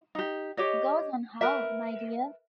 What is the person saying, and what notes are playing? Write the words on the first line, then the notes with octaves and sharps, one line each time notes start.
Goes on how, my dear?
D#4 G4
G4 C#5 D#5
A#4 B4 E5